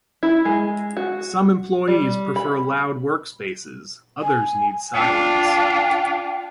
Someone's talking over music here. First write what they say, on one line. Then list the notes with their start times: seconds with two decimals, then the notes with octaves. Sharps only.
Some employees prefer loud work spaces, others need silence.
0.23 E4
0.45 G#3
0.97 F#4
1.88 G3
2.36 B5
4.22 G#5
4.94 D4 F4 G5